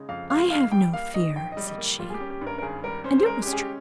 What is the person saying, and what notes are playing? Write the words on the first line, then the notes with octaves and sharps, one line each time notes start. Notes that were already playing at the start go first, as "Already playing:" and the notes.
"I have no fear," said she; and it was true.
Already playing: C#3 G#3 D#4
F2 F5
G#3 F5
D#4 F5
G3 G5
A#3 F5
G#2 D#5
A#1 G5
G3 D#5
D#5
A#3
G3 F4
G#4
G4
C#4
G4
G2
A#4
A#4
G#1 G#4
G3 A#4
C#4 C5
C5
G#3 A#4
G4
C#4
G#4
G4